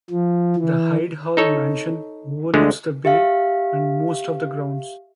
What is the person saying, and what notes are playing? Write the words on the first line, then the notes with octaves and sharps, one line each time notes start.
The Hyde Hall mansion overlooks the bay and most of the grounds.
F3
E3
D#4 A4 C#5
D2 D3 G#3
G4 E5 F5